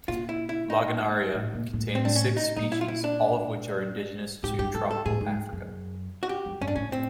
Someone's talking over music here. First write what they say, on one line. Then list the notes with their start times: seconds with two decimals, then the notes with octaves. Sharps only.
"Lagenaria" contains six species, all of which are indigenous to tropical Africa.
0.08 A#2 F4
0.29 E4
0.49 E4
0.70 D#4
1.33 A2
1.53 A#2
1.73 A2
1.95 C4
2.05 D4
2.16 C#4
2.37 D#4
2.56 A#2 D#4
2.72 E4
2.81 F4
2.88 E4
3.04 D4
4.43 G#2 G4
4.59 G2 G4
4.74 G#2 A4
4.91 A4
5.06 A2 G#4
5.21 G#2
5.53 F#2
6.23 F#4
6.29 G4
6.46 F#2
6.61 G2 C#4
6.68 D4
6.76 A2 C#4
6.92 C4